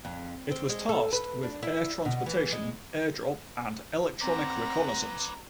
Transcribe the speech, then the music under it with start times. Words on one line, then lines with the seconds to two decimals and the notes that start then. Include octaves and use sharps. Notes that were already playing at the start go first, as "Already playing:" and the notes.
It was tasked with air transportation, airdrop and electronic reconnaissance.
0.05 F2
0.51 C4
0.69 G#3
0.89 A4
1.13 B4
1.43 D4
1.63 E4
2.05 B2
2.26 E3
2.53 G#3
4.21 C4 B4 D5 F#5 A#5